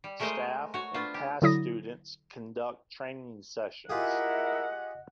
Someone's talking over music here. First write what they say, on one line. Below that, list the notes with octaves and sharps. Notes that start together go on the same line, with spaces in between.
Staff and past students conduct training sessions.
G3
G#3 A3 A#4 C5 D#5 F5
F#4 C#5
B3 D4 F4 C5
G4
D3 F#3 E4 D#6 A#6
E4 F4 G4 G#4 A#4 D#5 E5 F#5